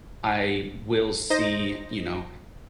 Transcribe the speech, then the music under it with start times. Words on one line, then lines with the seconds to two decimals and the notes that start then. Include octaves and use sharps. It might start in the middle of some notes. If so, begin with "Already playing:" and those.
I will see, you know,
1.30 D#4 C5 D#5 A#6